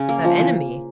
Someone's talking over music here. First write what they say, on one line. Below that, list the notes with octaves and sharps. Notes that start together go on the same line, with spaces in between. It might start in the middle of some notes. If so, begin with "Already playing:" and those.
"Her enemy?"
Already playing: C#3 C#4
A#3
F3
E3